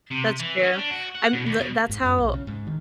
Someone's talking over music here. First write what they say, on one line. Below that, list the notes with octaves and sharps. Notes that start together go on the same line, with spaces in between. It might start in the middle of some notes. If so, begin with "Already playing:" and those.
That's true. I'm the that's how
C3
E3
C#4
D4
F#4
F#5
B2
D#2
B2
G#2
F#2
B1
C#3
G#2
D#3